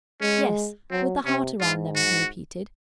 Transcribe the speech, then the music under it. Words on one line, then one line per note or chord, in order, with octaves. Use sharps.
"Yes, with a heart around them," he repeated.
G#3 C#4
F#3 C4
C3 C#4
G#2 F4
F#4